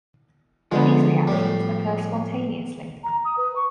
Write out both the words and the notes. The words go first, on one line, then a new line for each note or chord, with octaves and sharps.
These reactions occur spontaneously.
D3 F3 G#3 B3
A2 G3
A#5
D#6
B4
C#6